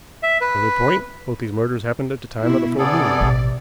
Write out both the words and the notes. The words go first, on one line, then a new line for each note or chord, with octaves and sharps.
Another point, both these murders happened at the time of the full moon.
E5
B4
B2 E4
C3 B3 G#4 A4 D5
A1 B2